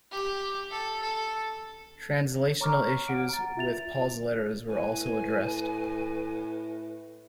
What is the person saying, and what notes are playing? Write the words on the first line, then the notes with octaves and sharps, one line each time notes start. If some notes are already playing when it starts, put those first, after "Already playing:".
Translational issues with Paul's letters were also addressed.
G4
A4
A4
C#5 A#5 C#6 D6 F6
F#5 F6 D7
A#5 A6
F4 E5 A6 F7
A2 B4 G#5